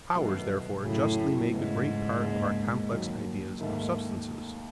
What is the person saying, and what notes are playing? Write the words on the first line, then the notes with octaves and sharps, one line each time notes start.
POWERS therefore justly make a great part of our complex ideas of substances.
B2 D#3 F#3 A3
F#2 A2 C#3 F#3 A3
E2 G#2 C#3 E3
D#2 C#3 G#3 D#4
D#2 D#3 F#3
D#2 G#2 D#3 A3